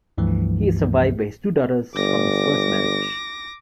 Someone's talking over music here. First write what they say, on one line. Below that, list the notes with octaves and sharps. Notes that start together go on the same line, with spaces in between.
He is survived by his two daughters from his first marriage.
C#2 G2 E3 F3 A3
G1 D6 A#6